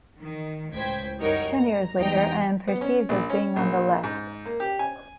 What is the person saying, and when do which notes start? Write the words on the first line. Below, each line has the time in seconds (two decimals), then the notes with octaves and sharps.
Ten years later I am perceived as being on the left.
0.20 D#3
0.72 C#2 A2 C5 G5 G#6 B6
1.19 F#2 G3 D#4 A#4 C#5 F#5
1.54 A#5
1.96 E2 G#2 D#4 G4 G5 A#5
2.67 B3
2.81 C#4
3.09 A#1
3.29 C#4
3.56 A#1
4.03 G#2
4.45 A#3
4.60 G4
4.79 G#5